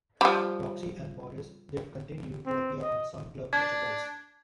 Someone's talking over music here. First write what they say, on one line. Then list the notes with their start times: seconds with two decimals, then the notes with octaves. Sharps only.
Roxi and Boris did continue to appear on some club merchandise.
0.21 F3 G3
2.46 C4
2.81 D#5
3.53 D4 G#6